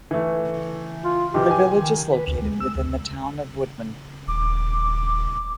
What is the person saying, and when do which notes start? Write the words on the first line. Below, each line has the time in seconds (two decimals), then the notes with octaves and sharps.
The village is located within the Town of Woodman.
0.11 E3 A3
1.04 F4
1.34 B1 E3 F3 G4
1.51 G#5
1.78 D#3
2.13 B4
2.28 D2
2.42 G#3
2.60 E6
2.75 D2
4.27 D#1 D6